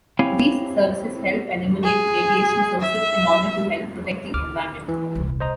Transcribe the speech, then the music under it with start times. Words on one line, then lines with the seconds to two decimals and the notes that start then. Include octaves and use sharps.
These services help eliminate radiation sources in order to help protect the environment.
0.19 C4 E4 G4 C#5 F5 G#5
1.84 G#4
2.81 E5
4.34 D2 D6 F6
4.88 E3
5.15 D#1 C2
5.40 C5 D#5 A#5